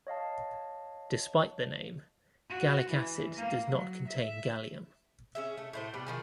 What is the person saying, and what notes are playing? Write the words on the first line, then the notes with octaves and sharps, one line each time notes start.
Despite the name, gallic acid does not contain gallium.
C#5 D#5 F5 A5
F#4
E3
A#3
F#3
E5
C#4 G#4 E5
A3
A2 A3 C5
B2 G3 B4
D#3 F3 G#4